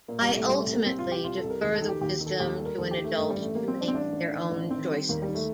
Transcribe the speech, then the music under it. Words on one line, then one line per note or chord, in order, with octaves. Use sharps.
I ultimately defer the wisdom to an adult to make their own choices.
A#2 A#3
G3
C2
A3
C2 G3
A3
C2
A#3
C2 C4
F4
C2
G4
C2 F4
A4
C2
A#4
D#2
A4
D#3
G4
D#2 G4
D#3
A4
D#2 G4
A4
G3
A#4
D#2 A4
G4
D#3
A3
G2 A3
G3
A1
A3
G3 A#3
C4
G3
D4
C4
A1 D4
A1
D#3
A1
D#3 C4
G3
D#2 A#3
G3
D#3
A3